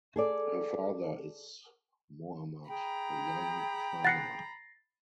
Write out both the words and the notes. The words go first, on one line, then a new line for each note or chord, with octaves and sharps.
Her father is Mohammad Jan Fana.
G#4 A4 D5
G#4 G5 A#5 B5
F#5 F#6 A6 A#6 C7 C#7